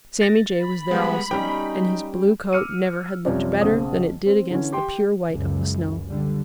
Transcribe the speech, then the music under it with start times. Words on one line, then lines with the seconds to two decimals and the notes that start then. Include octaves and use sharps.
Sammy Jay was there also, and his blue coat never had looked better than it did against the pure white of the snow.
0.21 A6 A#6
0.62 B5
0.91 G3 G#3 B3
1.31 G3 C#4 D#4 G5
2.53 D6 E6 F6 C#7 D#7
3.25 F#2 C3 F3 G3 C#4 D5
3.61 B1 C#3 C5 D#6
4.26 C4
4.50 D3 E3 C#4
4.72 G4 G5 C6
5.31 C#2 F#2
6.08 D3 G3